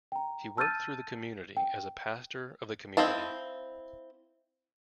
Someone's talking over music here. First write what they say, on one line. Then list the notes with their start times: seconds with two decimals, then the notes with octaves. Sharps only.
He worked through the community as a pastor of the community.
0.12 G5 A#5
0.57 A5 E6 F6 G6 A6 D#7
1.57 G5
2.97 C4 E4 D#5 F5 A5